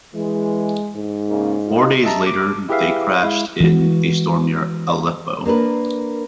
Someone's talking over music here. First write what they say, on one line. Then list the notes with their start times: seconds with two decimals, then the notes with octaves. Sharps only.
Four days later they crashed in a storm near Aleppo.
0.14 E3 G#3
0.96 G#2
1.29 C#3 A#3 D#4
1.67 D#4 F4 D#5
2.04 D#5 E5 A5 A#5
2.27 D6
2.69 E4 G4 G#4 B4 E5 F5
3.22 G#3 E4 F5
3.61 E3 G#3 F#4
5.45 A#3 D4 A#4 B4